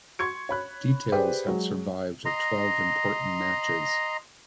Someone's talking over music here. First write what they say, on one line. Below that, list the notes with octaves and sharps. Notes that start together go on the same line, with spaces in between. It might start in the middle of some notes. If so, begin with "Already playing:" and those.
Details have survived of twelve important matches.
C6 C#6 G#6 C#7
C#5 B5 F#6
G4 G#4 B4 C5 D5 G5
F#3 G#3
D#5 A#5 C6